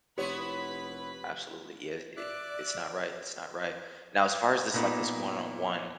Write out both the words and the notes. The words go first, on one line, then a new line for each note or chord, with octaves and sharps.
absolutely. Yeah, it it's not right it's not right. Now as far as this, like, this one-on-one,
F1 B3 E4 G4 B4 C#5 B5
D5 E5 D6 F#6
A#2 B3 D#4